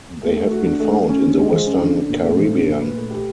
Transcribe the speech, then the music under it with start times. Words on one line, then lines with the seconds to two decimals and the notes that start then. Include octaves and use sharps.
They have been found in the western Caribbean.
0.23 A3
0.37 A3
0.51 F#4
0.66 D4
0.80 A3
0.94 A3
1.09 C#4
1.24 D3
1.38 G#3
1.52 F3
1.67 C#4
1.81 D3
1.95 D4
2.10 A#2
2.24 A3
2.39 F3
2.53 D4
2.68 A#2
2.82 B4
2.97 A3
3.11 G4